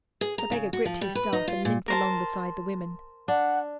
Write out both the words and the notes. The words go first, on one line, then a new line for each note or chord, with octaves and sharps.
The beggar gripped his staff and limped along beside the women.
G#4
A#5
C#3
F#4
F3
G3
B4
D#4
F4
A#2
A#4 C5 A5
D4 F#5